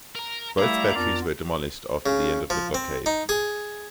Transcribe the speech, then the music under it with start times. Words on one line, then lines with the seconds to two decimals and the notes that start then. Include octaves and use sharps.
Both batteries were demolished after the end of the blockade.
0.16 A#4 A#5
0.58 G3 A3 E4 F5 A#5 B5 D6
0.95 F2 B3 D4 F4 A#4 D5
2.06 C#3
2.50 F3
2.74 C4
3.06 D#4
3.29 G#4